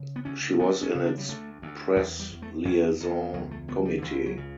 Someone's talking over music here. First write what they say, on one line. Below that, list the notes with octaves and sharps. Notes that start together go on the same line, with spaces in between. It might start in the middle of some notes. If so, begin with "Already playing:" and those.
She was in its Press Liaison Committee.
Already playing: C#3
B3
D2 C#4
D2 B3
C#4
C#3
D4
G3
D2 A3
D2
E2 G3
G3
E2
A3
E2 C#4
E2
C#2 F#3
A3
C#2 B3
G3
D3
C#2 E3
F#3
C#3